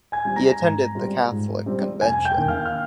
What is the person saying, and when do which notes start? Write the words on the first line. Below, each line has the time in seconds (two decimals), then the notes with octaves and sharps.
He attended the Catholic Convention.
0.12 G#5 G#6
0.25 G3 C4 F4
0.36 A#5 A#6
0.60 G#2
0.95 G3 C4 F4
1.30 G#2
1.66 G3 C4 F4
2.01 F1 G#5 G#6
2.25 G5 G6
2.37 D#2 D#3 A#3
2.48 F5 F6
2.66 F6